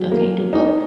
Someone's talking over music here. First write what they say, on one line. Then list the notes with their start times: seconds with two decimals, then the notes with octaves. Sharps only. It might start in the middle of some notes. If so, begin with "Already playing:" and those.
I can't do both?
Already playing: F#3
0.12 A#3
0.53 D#4